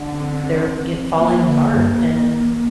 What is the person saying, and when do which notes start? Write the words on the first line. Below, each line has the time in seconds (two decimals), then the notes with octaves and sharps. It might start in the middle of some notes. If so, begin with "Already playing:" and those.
they're y falling apart, and
Already playing: D3
0.11 C4
0.33 C4
1.18 F3 A#3
1.47 D3
1.75 G2